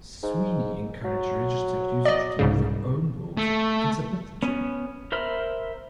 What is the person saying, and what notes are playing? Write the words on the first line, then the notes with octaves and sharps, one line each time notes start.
Sweeney encouraged registered users to make their own worlds and submit them to him.
G#2
F#3
D5 D#5
C2 G#2 C#3
A3
B3 C#4
A#4 C5 E5 B5 F6